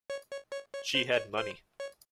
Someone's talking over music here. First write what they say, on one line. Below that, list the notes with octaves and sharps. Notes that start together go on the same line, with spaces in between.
She had money.
C#5
C#5
C#5
C#5
C5
C#5
C5
C#5